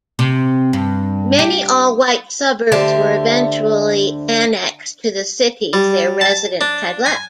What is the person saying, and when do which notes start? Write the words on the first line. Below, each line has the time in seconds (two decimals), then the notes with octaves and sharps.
Many all-white suburbs were eventually annexed to the cities their residents had left.
0.19 C3
0.73 G2
1.39 G4
2.72 D2 D3 G4 C5 E5 A5
5.73 G3
6.21 A5
6.61 D4
7.06 G#5